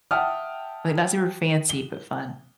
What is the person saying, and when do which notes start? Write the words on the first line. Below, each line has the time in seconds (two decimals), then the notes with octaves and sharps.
like, not super fancy, but fun.
0.11 E5 F#5 G5 A5 D#6 F6
1.69 G7